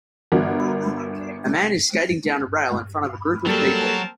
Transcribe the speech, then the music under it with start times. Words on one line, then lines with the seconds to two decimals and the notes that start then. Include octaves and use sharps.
A man is skating down a rail in front of a group of people.
0.32 G1 F#4 A#4
3.47 F#3 G3 A#3 C4 A4 A#4 A5